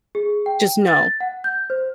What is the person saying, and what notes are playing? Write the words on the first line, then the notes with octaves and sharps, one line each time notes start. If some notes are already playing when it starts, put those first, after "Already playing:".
Just, no.
G#4
G5
A6
F#5
G6
C5